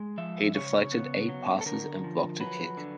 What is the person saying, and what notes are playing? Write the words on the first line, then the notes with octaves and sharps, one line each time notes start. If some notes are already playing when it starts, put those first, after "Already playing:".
He deflected eight passes and blocked a kick.
Already playing: G#3
F3 E5
C#3 C#5
B3
F#3
A4
D3 A#4
F3
F#3 B4
D3